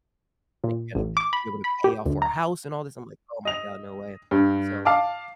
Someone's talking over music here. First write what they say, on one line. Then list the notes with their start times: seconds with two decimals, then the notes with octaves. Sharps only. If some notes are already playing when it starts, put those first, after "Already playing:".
you gotta be able to pay off for a house and all this," I'm like, "Oh my god, no way," and so, um,
0.64 A#2
0.95 A1
1.17 D6
1.33 B5
1.64 B5
1.84 G4
2.06 D2
2.22 A#5
3.45 D#5 F7
4.31 G2
4.85 F5 A5 D6